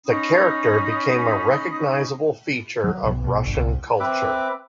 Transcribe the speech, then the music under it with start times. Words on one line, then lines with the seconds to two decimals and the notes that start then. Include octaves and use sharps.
The character became a recognizable feature of Russian culture.
0.06 C#4 D#4 B5 D#6
2.84 F#3
3.03 B1
3.24 B1
3.43 G1
3.55 C2
4.00 C4 B4 E5 D6